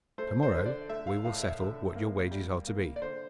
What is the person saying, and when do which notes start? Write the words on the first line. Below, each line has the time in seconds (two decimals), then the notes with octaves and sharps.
To-morrow we will settle what your wages are to be.'
0.18 A3 C5
0.43 C5
0.55 D3
0.66 D5
0.89 A3 E5
1.07 F5
1.25 A2 F5
1.42 E5
1.60 D3
1.96 A#3
2.31 G3
2.67 A#3
2.96 D5
3.02 D3 C5